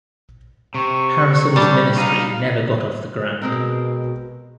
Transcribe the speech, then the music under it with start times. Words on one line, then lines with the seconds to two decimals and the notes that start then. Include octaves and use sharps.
Harrison's ministry never got off the ground.
0.75 C3 C#6
1.56 G3 D4 G4
1.98 D#4 F5
3.42 B2 G#3 C4 A#4